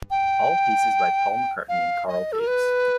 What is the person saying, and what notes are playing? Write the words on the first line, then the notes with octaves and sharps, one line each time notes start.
All pieces by Paul McCartney and Carl Davis.
G5
F5
D#5
A4
A#4
B4